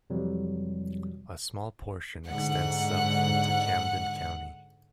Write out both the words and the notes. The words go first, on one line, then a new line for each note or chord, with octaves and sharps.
A small portion extends south into Camden County.
F2 C3 E3 F#3 G3
G#2 D3 F#5